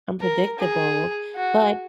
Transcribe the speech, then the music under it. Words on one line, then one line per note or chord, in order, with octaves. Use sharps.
unpredictable, but
A#4
G#4
F#4